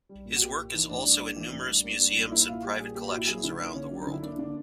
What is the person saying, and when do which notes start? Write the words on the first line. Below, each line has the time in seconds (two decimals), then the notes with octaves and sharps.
His work is also in numerous museums and private collections around the world.
0.09 G3
0.25 A#2
0.36 F#4
0.42 A#3 G4
0.58 A#2
0.73 E3 D#4
0.89 A2 D4
1.05 G3 D4
1.21 A#3
1.36 E3
1.52 A2
1.68 G3
1.84 A#3
2.00 G3
2.16 A#2
2.28 D#4
2.32 A#3 E4
2.48 A#2 F4
2.63 G3 G4
2.80 A#2 G#4
2.95 A#3 G4
3.07 F#4
3.12 A#2
3.17 E4
3.27 F#3 G#4
3.43 D3 E4
3.59 A#3 D#4
3.75 D3 C#4
3.91 F#3 D4
4.01 D#4
4.07 D3
4.13 E4
4.23 A#3 D4
4.38 D3 D4